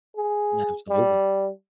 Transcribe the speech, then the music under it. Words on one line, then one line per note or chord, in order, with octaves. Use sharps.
Yeah, absolutely.
G#4
G3